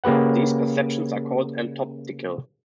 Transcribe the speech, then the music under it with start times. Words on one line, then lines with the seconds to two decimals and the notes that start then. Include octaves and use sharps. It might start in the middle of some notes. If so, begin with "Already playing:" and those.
These perceptions are called "entoptical".
0.04 C#3 A#3 G4 B4 F#5